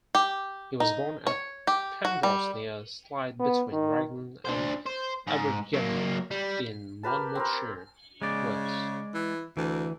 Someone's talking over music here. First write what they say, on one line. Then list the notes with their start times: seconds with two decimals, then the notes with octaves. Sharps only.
He was born at Penrhos near Clytha between Raglan and Abergavenny in Monmouthshire, Wales.
0.15 G4
0.80 D#4
1.27 C#5
1.67 G4
2.05 F#4
2.23 G3
3.40 B3
3.72 D#3
4.45 D4 C5
4.86 C5
5.27 G#2
5.74 F#3 A#3
6.31 G3
7.03 G4 A#4 B4 A5
7.35 C4 A#4
8.22 C#3 G#3 D5
9.14 E3
9.57 D2 E3